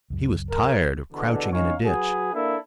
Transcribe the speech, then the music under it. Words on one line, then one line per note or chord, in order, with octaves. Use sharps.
He was tired of crouching in a ditch.
C#2 F#2
A#4
E2 B2 D3
C#4 D#4 C#5 F5
F#3 F#4 G#4 B4
A#3 D4 E4 A4